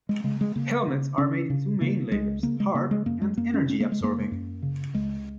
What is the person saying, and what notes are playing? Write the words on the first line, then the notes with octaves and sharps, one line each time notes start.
Helmets are made in two main layers: hard and energy-absorbing.
G#3
C#3 G#3
G#3
C#3 A#3
C#3
C#3 C#4
C#3
C#3 A#3
C#2 G#3
C#3 A#3
G#3
C#3 A#3
G#3
F#2 A#3
G#3
F#2 A#3
C#4
C#3 C#4
A#3
G#3
F#2 A#3
F#2
C#3
C#2 G#3